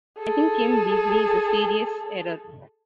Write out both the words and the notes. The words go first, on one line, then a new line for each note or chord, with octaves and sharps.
I think Kim Beazley is a serious error.
G#4 A4